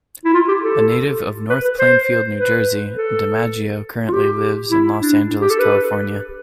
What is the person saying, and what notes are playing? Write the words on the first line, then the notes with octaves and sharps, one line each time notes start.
A native of North Plainfield, New Jersey, DiMaggio currently lives in Los Angeles, California.
E4
F4
G4
A4
B4
B4
C5
B4
A4
F4
G4
E4
D4
G4
A4
B4